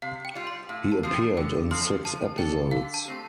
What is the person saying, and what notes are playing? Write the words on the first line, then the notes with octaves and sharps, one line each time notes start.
He appeared in six episodes.
C3 F5
G5
G3 F4
C6
A2 F5
A5
F3 C4 A5
G5
D3 G5
F3 C4 A4 C6
F3 A5
D4 A4 G5
D3 F5
A5
A3 C4 G4